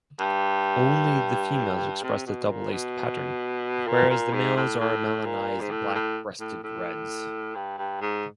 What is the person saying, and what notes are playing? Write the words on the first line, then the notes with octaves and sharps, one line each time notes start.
Only the females express the double-laced pattern, whereas the males are melanized black-breasted reds.
G2
C3
B2
A#2
B2
A#2
A#2
G#2
A2
A2
A#2
G#2
A2
A2
A2
A2
G2
G2
G#2